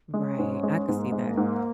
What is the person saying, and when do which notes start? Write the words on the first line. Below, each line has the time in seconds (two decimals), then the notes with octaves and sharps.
Right. I could see that.
0.14 G#3 C#4
0.39 G#2
0.63 G#3
0.88 G#2 B3
0.99 A#3
1.11 G#3 B3
1.25 A#3
1.37 G#2